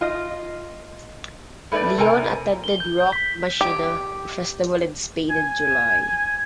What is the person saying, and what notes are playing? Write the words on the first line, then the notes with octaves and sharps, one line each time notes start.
Lione attended Rock Machina Festival in Spain in July.
F4 D#5
G3 A3 B4 C#5 D5
C3 A#4 G#5
G7
G6
G6
B6
G4
G#5